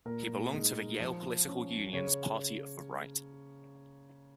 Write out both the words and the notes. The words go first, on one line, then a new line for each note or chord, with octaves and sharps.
He belonged to the Yale Political Union's Party of the Right.
A#2 A#4
G#3 D#4
F3
C#4
C#3 C#5